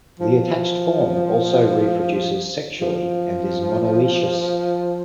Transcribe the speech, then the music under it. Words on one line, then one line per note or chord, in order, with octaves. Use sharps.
The attached form also reproduces sexually, and is monoecious.
F3
F3